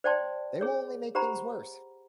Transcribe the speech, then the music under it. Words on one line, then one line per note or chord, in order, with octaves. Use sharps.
They will only make things worse.
C5 D5 G5 A5 C6
G#4 C#5
G4 C5 F#5 A#5 B5